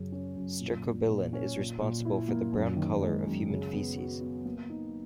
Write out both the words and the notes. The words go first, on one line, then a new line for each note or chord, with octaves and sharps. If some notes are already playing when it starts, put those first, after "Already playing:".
Stercobilin is responsible for the brown color of human feces.
Already playing: F#2 C#3
C#4
F#2
A#2
A#2
A#2
C#4
A#2
A#2
E4
A#3
F#2
D#3
G#3
F#2
C#3
B3
F#4
B3
A#3
D#4